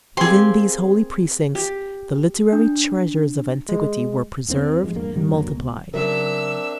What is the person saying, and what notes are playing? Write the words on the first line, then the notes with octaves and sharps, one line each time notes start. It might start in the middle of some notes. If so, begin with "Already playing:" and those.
Within these holy precincts the literary treasures of antiquity were preserved and multiplied.
A#3 C4 G4 G#4 C6
G4
D4
G#3
D#2 D#3 E3 C4
G2 F3 G#3
E2 G2 A#3
G#2 D3 G3 A#3
F#2 D3 F#3 A#3
C#2 B2
C#3 F#3 C4 D4 A#4 E5 E6